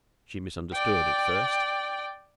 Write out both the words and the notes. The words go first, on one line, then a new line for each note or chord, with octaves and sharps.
She misunderstood at first.
D5 G5